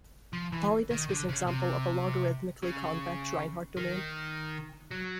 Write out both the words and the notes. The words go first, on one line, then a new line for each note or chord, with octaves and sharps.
A polydisc is an example of logarithmically convex Reinhardt domain.
F3
E3
D#3
D3
C#3
C3
C#3
D#3
F#3